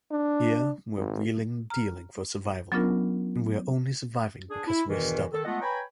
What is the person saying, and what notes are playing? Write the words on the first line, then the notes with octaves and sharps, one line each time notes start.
Here, we're wheeling and dealing for survival, and we're only surviving because we're stubborn.
D4
G#1
A#5 F6
F#3 B3 C#4 D4 F4 A#4
D4 G#4
E4
E2 G2 B2 D#3 E3
D#3 A4
G#3 A3 B3 F4 D#5 F#5
B4 C#5 G5 G#5 A#5 B5